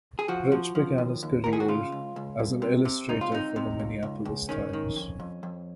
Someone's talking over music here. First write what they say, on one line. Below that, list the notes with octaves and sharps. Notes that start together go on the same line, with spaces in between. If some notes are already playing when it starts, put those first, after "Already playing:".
Rich began his career as an illustrator for the "Minneapolis Times".
G#4
F3 F#4
F3
F3
D#2
D#2
D#2 A#4
G#4
F#4
C#3 F4
C#2
C#2
C2
C3
C3
C#2 D#4
F4
C3 D#4
C3
C#2
C#2
C#2
D#3 C#4
D#3
F2
F2
F2